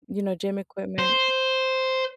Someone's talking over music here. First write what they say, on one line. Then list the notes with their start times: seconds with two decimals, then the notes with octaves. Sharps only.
you know, gym equipment.
0.99 C5